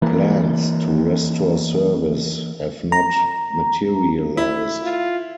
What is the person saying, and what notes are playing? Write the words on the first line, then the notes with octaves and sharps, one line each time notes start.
Plans to restore service have not materialized.
E3 A#3
A#5
E4
F4